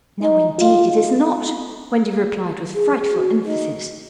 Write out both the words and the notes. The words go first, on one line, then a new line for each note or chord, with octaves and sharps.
'No, indeed, it is not,' Wendy replied with frightful emphasis.
D#4
F4
G#4
F#4
D#4